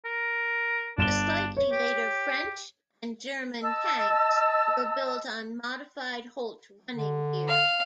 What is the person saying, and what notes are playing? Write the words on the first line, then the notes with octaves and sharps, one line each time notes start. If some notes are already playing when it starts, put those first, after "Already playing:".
The slightly later French and German tanks were built on modified Holt running gear.
A#4
G1 D4 E7 G7
C#5
G4
D#5 A5 E6
D3
F5